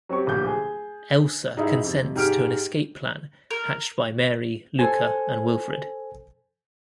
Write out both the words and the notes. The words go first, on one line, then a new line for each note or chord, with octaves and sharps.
Elsa consents to an escape plan hatched by Mary, Luca and Wilfred.
F#3 C4 G4 C#6
D1 A#1 G4 G6
G#4
G#2 D#4 E4
F2 C3
G#2 G4 F6 D7
A#4
A4 C5 G#5